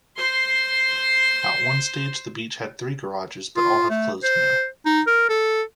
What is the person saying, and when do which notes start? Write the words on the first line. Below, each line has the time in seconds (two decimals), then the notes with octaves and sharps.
At one stage the beach had three garages but all have closed now.
0.17 C5 C6
3.57 F4
3.90 A3
4.23 C5
4.86 D#4
5.07 A#4
5.29 A4